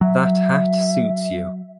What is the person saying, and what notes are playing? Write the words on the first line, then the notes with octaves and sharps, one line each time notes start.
That hat suits you.
F#3 E5